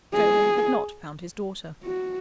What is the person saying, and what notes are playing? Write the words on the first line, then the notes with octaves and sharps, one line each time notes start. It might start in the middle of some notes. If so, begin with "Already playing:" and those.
Sherwin had not found his daughter.
G#4
F#4